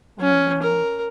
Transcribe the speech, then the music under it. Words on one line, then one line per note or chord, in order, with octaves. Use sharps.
Oh, no.
C#4
A#4